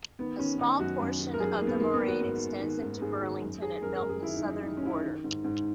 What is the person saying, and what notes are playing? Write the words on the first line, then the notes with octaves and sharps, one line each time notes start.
A small portion of the moraine extends into Burlington at Milton's southern border.
D#3 B3
D#3 C#4
D#3 D#4
F#2 F#4
F#2
D#3
A#4
F#2 G#4
G#4
D#3 A#3
B3
D#3 A#3
B3
D#3
F#4
G#2
D#3
D#3
G#2
G#2 G#4
D#3 F#4
F#2
D#3 G#4
F#2 A#4
A#4
F#2
G#4
D#3 E4
D#4
F#2
D#4
D#3 D#4
C#4
D#3 E4
D#4
D#3
G#2
G#2